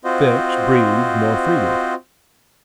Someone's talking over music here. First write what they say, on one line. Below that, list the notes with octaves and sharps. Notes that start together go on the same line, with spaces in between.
Fix breathed more freely.
C4 F4 F#4 C5 D#5